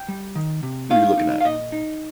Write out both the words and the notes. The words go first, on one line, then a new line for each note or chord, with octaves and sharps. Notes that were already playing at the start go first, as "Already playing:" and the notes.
Who You Looking At?
Already playing: G5
G3
D#3
C3
D#4 F5
D#4
F5
A#2 D#5
D#4